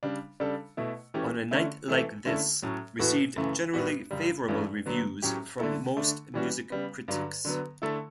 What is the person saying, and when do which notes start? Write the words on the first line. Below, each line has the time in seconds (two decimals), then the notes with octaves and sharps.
"On a Night Like This" received generally favourable reviews from most music critics.
0.03 C#3 G3 D4
0.40 C#3 G3 D4 A4
0.77 B2 A3 E4
1.14 E3 A3 C#4 G4
1.51 D3 A3 C#4 E4
1.88 E3 A3 E4 A4
2.25 D3 A3 C#4 E4 A4
2.62 A2 F#3 C#4
2.99 A2 E3 B3 F#4 A4
3.36 F#2 C#3 E3 A3
3.73 A2 G3 B3 F#4
4.11 F#2 C#3 G3
4.48 G2 E3 A3 C#4
4.86 D3 F#3 B3
5.22 A2 F#3 C#4 G4
5.59 D3 A3 E4 A4
5.97 D3 A3 D4
6.34 E3 G3 C#4 F#4
6.70 C#3 G3 B3
7.08 G2 D3 F#3
7.45 D3 F#3 B3
7.82 D3 A3 E4 A4